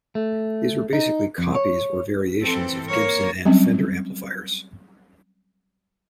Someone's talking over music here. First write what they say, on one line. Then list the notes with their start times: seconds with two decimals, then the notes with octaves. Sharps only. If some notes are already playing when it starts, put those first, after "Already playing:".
These were basically copies or variations of Gibson and Fender amplifiers.
0.15 A3
0.93 D#4
1.38 F2
1.55 C#5
2.42 E3 C4 A4
2.89 A#3 A#4 C#5
3.45 F#3 G3 C4 C#4